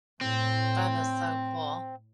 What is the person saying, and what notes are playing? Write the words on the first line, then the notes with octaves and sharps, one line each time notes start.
That is so cool.
A2 C4